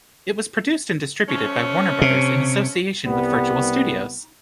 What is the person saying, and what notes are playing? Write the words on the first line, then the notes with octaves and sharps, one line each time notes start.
It was produced and distributed by Warner Brothers in association with Virtual Studios.
F3 A3 C#4
C3
C2 G3 B3